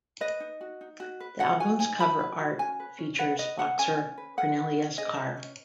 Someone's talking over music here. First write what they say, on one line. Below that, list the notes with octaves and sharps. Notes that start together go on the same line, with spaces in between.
The album's cover art features boxer Cornelius Carr.
B4 D#5
D#4
F#4
D#4
F#4
B4
F#4 F#5
F#4 G#5
D#4 G#5
F#4 B5
B4
F#4
C#4 G#5
B4
C#4
B4 F#5
B4 D#5
B4 F#5
C#4 G#5
C#4
B4
B4 F#5
B4
C#4
G#4 D#5
B4
C#4